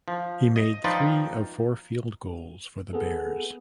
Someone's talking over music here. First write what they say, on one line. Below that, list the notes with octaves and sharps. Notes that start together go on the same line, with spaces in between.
He made three of four field goals for the Bears.
F3
D#5
F3 D#4 F4 B4 D5 G5
B3 G#4 A4